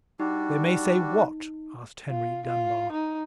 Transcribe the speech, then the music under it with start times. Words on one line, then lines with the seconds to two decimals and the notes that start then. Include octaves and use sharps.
"They may say what?" asked Henry Dunbar.
0.20 G3 D4 D#4 F#4
2.09 F4
2.46 F4
2.92 D#4